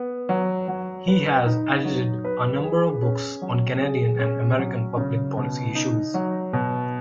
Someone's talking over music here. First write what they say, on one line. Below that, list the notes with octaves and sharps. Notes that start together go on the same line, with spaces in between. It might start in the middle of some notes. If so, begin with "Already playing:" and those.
He has edited a number of books on Canadian and American public policy issues.
Already playing: B3
F#3
F#3
B4
D#4
F#3
B4
G#4
C#4
F#3
G#4
C#4
F#3
C#3
B2
D#4
F#3
B2